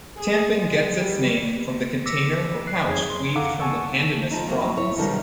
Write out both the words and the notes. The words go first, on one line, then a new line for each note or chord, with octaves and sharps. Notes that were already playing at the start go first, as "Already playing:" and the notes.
Tampin gets its name from the container or pouch weaved from the pandanus fronds.
G#4
G#3
G3
D6 E6 A#6 B6 C#7
F#6 C7
F2 D#4 G#4 C#5 G#6
C6
A4 F5 F#5 A#5 D6
F#5 G#5 A5 C#6 E6
F3 D#4
D#3 F#3 G3 A#3
F#3
E4 C#5
B2 D3 D#3 G3